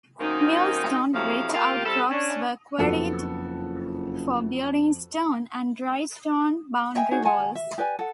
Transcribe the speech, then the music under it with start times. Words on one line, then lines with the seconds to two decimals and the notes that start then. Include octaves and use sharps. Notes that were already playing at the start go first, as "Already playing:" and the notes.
Millstone grit outcrops were quarried for building stone and dry stone boundary walls.
0.20 F#2 D#3 A#3 C4 D#4
1.13 F2 C3 F3 F#3 E4 F5
1.54 A#3 F4 G4
1.85 G3 C4 E4 A4
2.10 C#4 D4
2.78 F#1 F2 B3 F#4 A4 C#7
6.95 D#5 E5 G5 G#5
7.11 D#4 F#4 G#4 C#5
7.25 G#4 F#5 G#5 A5
7.55 E5
7.78 G4 B4 D5 G#5
7.99 A4 F#5